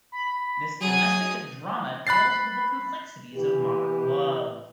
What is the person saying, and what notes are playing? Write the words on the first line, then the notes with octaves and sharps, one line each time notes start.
This domestic drama deals with the complexities of modern love.
B5
F#3 G#4 D#6
B5 F#6 A6 C7
E3 B3 G4